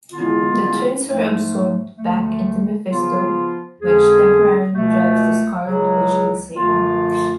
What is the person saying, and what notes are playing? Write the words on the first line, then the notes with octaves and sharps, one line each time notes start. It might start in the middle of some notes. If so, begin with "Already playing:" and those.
The twins were absorbed back into Mephisto, which temporarily drives the Scarlet Witch insane.
D3 G#3 B3 F4
G#2 F3 A3
D2 D3 F3 A3
C#3 F3 B3 F4
F2 D3 G#3 C#4 G#4
C#2 B2 A3
C#2 C#3 F#3
F#2 D3 F3 A3 F4